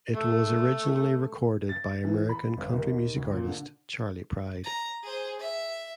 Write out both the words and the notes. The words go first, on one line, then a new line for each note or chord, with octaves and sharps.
It was originally recorded by American country music artist Charley Pride.
A3
A6
E3
B5
G1
D#2
D2
A#2
D3
A#5
G#4 C5
E5